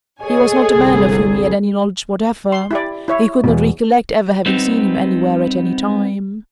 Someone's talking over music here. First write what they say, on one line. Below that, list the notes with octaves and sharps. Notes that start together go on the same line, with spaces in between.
He was not a man of whom he had any knowledge whatever--he could not recollect ever having seen him anywhere at any time.
G#4 A4 C#5 D#5 G#5
G1 C2
C6
E4 G4 D5
E4 C#5 E5
E2 G2 B2
G3 B3 C4 D#4